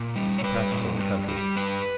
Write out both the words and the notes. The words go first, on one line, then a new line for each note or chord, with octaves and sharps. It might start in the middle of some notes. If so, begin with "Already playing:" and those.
It's the practice of the country.
Already playing: A#2
G3
C#5
G3 B4
A#2
G2
G3
G2 B4